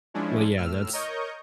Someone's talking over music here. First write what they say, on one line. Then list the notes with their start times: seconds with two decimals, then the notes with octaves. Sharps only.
Well, yeah, that's
0.14 F3 G#3 C#4 D4 E4
0.57 A2 E6 F6
0.93 A#4 C#5 D#5 C#6 G6